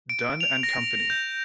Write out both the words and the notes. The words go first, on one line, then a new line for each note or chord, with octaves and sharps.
Dun and Company.
D7
F7
A#6
G6